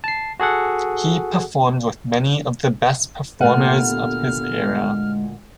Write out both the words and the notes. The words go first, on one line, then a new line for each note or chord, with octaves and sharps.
He performed with many of the best performers of his era.
A5 C7
F#4 G#4 A4 F#5
D2 A#2 B3 G4 A4 F#5 F6
G#3